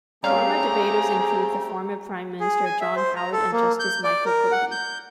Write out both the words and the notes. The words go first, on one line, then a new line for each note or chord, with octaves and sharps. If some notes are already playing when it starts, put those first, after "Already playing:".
Former debaters include the former Prime Minister John Howard and Justice Michael Kirby.
G3 A3 C4 C#4 G4 G#4 F5 A#5
G#4
G#5
E5
C5
A#5
A4
A#3
G6
D5
A#4
F#5
G6